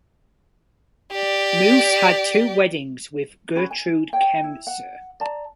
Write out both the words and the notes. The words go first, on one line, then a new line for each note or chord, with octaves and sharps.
Muuss had two weddings with Gertrude Kremser.
G4 D5
C#4 F#4 G#4 B5
G#5
C#5 G5
E4
F#5
D5 A5 A#5